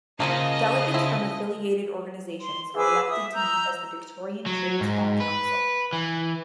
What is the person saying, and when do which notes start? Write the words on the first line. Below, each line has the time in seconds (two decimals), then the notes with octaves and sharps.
Delegates from affiliated organisations are elected to meet as the Victorian Trades Hall Council.
0.20 C#3 F3 A3 A#3 D#5
0.94 F3 E4
2.40 C6
2.75 G#4 B4 D6 E6
3.09 E5 D#6
3.34 A#5 E6 G6
4.46 F#3
4.80 G#2
5.20 B4
5.93 E3